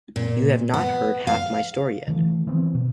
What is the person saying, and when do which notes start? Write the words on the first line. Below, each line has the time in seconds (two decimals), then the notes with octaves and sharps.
You have not heard half my story yet!
0.16 A#2
0.74 B3
1.27 F5
2.08 D#3 E3 A3
2.47 D#3 E3 B3 C4
2.75 B2